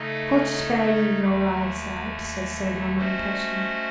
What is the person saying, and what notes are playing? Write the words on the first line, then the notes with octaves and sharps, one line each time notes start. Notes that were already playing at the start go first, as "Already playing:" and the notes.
"God spare you your eye-sight!" said Sir Norman, impatiently.
Already playing: C#3 A3 D#4 A4 D#5
D#2 D#3 A3
A3 C#4 F#4 C5 D#5